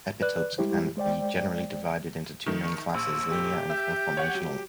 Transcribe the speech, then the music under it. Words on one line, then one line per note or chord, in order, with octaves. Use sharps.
Epitopes can be generally divided into two main classes: linear and conformational.
B4 D5 F#6
G3 G#3 E4 G4 C5
G#3 C5 D5 G5
D#3 A3
A#1 E6
G4
E5 G6
C#5 F#5
F#3